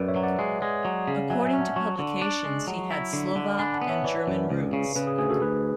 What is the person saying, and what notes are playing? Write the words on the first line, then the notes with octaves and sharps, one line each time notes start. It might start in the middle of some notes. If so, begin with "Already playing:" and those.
According to publications, he had Slovak, and German roots.
Already playing: F#2 B4 D5
C#5 E5
F#3
D5 F#5
G#3
G#3
F#3
C#3
F#3 E5 G#5
E5 G#5
C#4
F#5 A5
F#3 A5 C#6
D3
D4
G#3
F#3
E4
D3
D3
D4 G#5 B5
F#5 A5
B3
C#5 E5
E3 B4 D5
F#2
C#2
C#3
C#3 G#4 B4
G#4
D2 G#4
F#4 A4
D2 G#4 B4